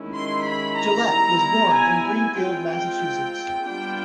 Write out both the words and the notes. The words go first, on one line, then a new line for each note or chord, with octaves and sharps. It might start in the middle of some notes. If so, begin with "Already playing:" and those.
Jillette was born in Greenfield, Massachusetts.
Already playing: D#3 G#3 C#4 E4
C6
B5
A#5
G3 B3 E4
G#5
G#5
G#3 C4 F4 G5
G5
G3 B3 D4 F4 G5